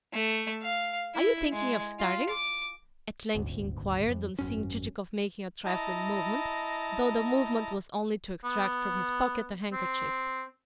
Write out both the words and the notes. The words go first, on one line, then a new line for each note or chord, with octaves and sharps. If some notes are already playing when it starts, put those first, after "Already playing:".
"Are you thinking of starting?" at length he inquired, on seeing Chichikov making a trifling movement, though the movement was only to extract from his pocket a handkerchief.
A3
F5
E4
G#3
F4
D6
D#1 G#1 D2
F2
G#1 F#2 C#4
E4 D#5 A5 A#5
B3
C4